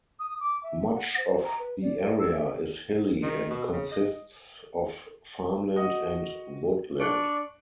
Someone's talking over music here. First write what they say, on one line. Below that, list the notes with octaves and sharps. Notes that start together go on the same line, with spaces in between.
Much of the area is hilly and consists of farmland and woodland.
D#6
D6
E5
F#5
C5
A#5
B4
D5
D5
E6
E5
D#3
B2
C#3
D#5
F#4 D#5 D#6
D4 D5 C#6 F#6 D7